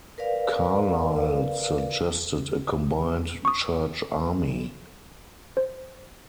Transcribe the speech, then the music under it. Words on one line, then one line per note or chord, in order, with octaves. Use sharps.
Carlile suggested a combined "Church Army".
A#4 B4 D5 F5
C#6 D#6
C5